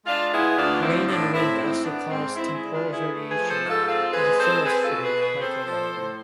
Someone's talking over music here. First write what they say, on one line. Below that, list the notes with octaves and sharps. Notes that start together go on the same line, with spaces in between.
Rain and wind also cause temporal variation to the phyllosphere microbiome.
G#3 D4 F4
B3 E4 G#4
D2 D4 F4
F3 C4 E4
A2 D4
A2 C4 E4
G#2 C4 E4
B3 D4
G#2 C4
G#3 C4 E4
E4 G#4
D3
D4 F4
B3
E4 G#4
A3
G#4 B4
F3
A4 C5
G#2
F4 A4
C4 F4 A4
G#3 G#4 B4
C4 A4 C5
C4 G#4 B4
F4 A4
B2
G#4 B4
B2
G#4 B4
C4 A4 C5
F3
A2